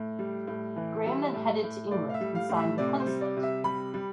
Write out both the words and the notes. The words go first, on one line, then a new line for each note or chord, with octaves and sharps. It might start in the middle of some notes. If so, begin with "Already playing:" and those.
Graham then headed to England and signed with Hunslet.
Already playing: A2
G3
A2
E3
G3 E5
A2
A2
A2 D5
F5
E5
G3
F5
A2
E5
C3 D5
C5
G3
D5
C3
E5
G3 B5
G3